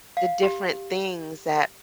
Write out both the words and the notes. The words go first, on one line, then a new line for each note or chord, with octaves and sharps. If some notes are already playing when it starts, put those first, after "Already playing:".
the different things that
F5
G4